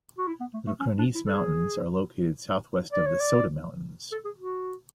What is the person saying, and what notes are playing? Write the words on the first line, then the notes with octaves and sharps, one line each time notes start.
The Cronese Mountains are located southwest of the Soda Mountains.
F#4
E4
B3
A3
A3
C#4
D4
E4
A4
G#4
D5
C#5
D5
A4
G#4
F#4